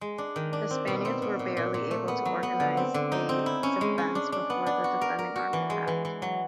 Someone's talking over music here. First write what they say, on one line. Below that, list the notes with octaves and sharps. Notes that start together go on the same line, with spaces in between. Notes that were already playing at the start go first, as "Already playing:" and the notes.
The Spaniards were barely able to organise a defence before the defending army attacked.
G#3
D4
D#3
D4
C4
B2
C4
B2
A#2
A#2
A#2
A3
B3
F#3
B3
D3
C4
D3
D#4
C4
E4
C#4
G#3
C#4
D4
D4
B3
D4
F#4
A#4
A#4
F#4
E3
G#3
E3
E3
F#3